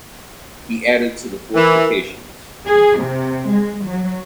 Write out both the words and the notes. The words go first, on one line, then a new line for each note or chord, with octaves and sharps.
He added to the fortifications.
E3 A#4
G#4
C3
G#3
F#3